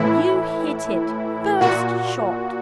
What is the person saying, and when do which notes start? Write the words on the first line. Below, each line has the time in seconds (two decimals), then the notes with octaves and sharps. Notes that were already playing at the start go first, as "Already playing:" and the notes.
You hit it first shot.
Already playing: A2 E3 E4
1.61 A#2 F#4